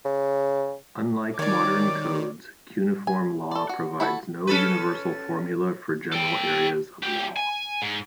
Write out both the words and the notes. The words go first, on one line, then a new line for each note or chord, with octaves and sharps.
Unlike modern codes, Cuneiform law provides no universal formula for general areas of law.
C#3
D#3 C#5 D5 D6
G#5
A4 D5
F#4
E4 F#4 A4 F#5 B5
C#4 A4 B4
A4 G5
F#3 G4
G#5
G#2